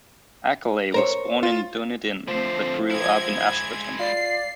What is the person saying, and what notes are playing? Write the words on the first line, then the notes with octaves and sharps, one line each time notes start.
Ackerley was born in Dunedin but grew up in Ashburton.
A#4 C5 C#5
F4
D3 F3 A3 C4 C5
G#3 E4 G#6
F4 D5 C7